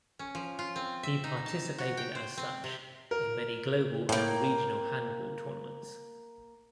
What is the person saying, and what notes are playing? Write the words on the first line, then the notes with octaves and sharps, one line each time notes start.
He participated as such in many global and regional handball tournaments.
C#4
F3
F4
C4
E5
D#4
A5
F#4
G5
C5
C4
C3
A#4
A2 A#3 G5